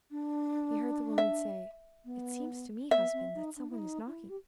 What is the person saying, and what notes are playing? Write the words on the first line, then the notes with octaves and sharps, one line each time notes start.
He heard the woman say, "It seems to me, husband, that some one is knocking."
D4
E5
B3
B3 E5
C4
D#4
D4
E4
D#4
E4
G4